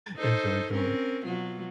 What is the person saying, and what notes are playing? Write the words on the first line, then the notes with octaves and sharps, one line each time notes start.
enjoy going.
D#4 A4 C5
C4 C#4 A#4
B2 F#3 F4